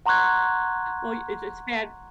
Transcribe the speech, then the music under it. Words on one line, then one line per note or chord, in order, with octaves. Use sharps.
well it's it's bad
F#5 A#5 C6 C#6 F#6 G#6